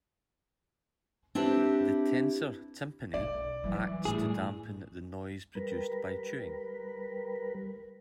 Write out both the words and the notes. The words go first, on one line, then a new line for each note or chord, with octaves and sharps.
The tensor tympani acts to dampen the noise produced by chewing.
C4 D4 E4 G4 B4
B1 C#4 D5
E3 F#3 G3
A2 G3 G#4
G3 A#4 B4